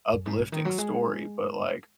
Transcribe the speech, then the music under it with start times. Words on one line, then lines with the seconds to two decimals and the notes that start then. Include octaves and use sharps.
uplifting story, but, like,
0.12 F#2
0.26 G#2
0.39 C#3
0.52 D#3
0.65 F#3
0.78 G#3